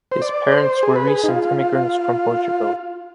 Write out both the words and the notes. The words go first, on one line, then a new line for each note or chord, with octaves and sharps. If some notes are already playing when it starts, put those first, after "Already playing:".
His parents were recent immigrants from Portugal.
C5
D5
C5
G#4
B4
G#4
D#4
F4